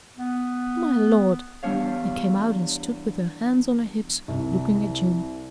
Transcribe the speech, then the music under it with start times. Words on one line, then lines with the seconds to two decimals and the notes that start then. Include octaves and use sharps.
"My Lord!" and came out and stood with her hands on her hips looking at June.
0.17 B3
1.63 E2 G3 D4 C#5 F5
4.28 C2